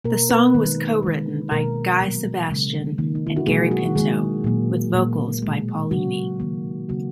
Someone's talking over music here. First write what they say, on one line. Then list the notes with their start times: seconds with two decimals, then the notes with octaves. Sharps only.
The song was co-written by Guy Sebastian and Gary Pinto, with vocals by Paulini.
0.05 B2 A#3 A#4
0.30 B3 B4
0.54 D#3 G#3
1.03 D#3 G#3
1.51 B2 G#3 A#3 A#4
2.00 A#2 F#3 A#3
2.49 C#3 G#3
2.98 D#3 F#3 A#3
3.15 D#4
3.27 E4
3.36 F#4
3.47 B2 F#3 G#3 A#3 G#4
3.71 F#3 F#4
3.95 D#3 G#3 A#3 G#4
4.44 A#2 F#3 A#3
4.94 A#2 A#3
5.42 B2 G#3
5.91 C#3 F#3 A#3 F#4
6.40 D#3 A#3
6.89 C#3 F#3 A#3 F#4